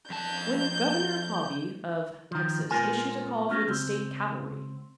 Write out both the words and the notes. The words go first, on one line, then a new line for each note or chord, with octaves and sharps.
When Governor Hobby of Texas issues a call for the state cavalry.
F2 A5 G6
D#3 F3
A#2 G#3 B3 F4 A#4 G#5
A3 B3 C#4 D#4 F#4
C#2 C4